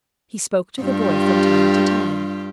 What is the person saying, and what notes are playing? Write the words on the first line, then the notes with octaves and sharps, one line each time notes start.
He spoke to the boy from time to time.
G2 F4 G4